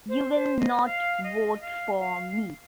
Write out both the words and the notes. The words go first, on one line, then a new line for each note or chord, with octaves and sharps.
You will not vote for me!
C5
C5
D#5
F5
D#5
F5
F5